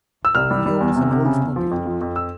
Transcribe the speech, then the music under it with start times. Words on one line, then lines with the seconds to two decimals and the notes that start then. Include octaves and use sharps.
He owns an Oldsmobile.
0.25 E6
0.35 C2 F6
0.51 G3
0.66 G3
0.81 E2
0.96 C3
1.11 C3
1.25 C#3
1.41 E2
1.56 F3
1.71 F2
1.86 F3
2.01 F2
2.16 E6